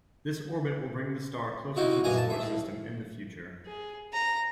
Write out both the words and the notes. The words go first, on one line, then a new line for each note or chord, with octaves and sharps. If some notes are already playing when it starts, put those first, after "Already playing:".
This orbit will bring the star closer to the Solar System in the future.
C3 D#4 E4 F#4
A#1 F#2 E3 G#5 A#5
A5
E5
A2
G#4
A#5